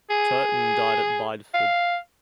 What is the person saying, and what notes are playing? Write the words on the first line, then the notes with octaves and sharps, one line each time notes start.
Turton died at Bideford.
G#4
F5